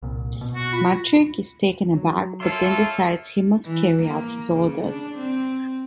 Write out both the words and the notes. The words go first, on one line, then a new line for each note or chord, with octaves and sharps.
Maciek is taken aback, but then decides he must carry out his orders.
C2 A#2
B2
F#4
F4 B5
F#3
A#3 F4 A4 C#5 E5 C6
E3
A#3
C#3
D4
C4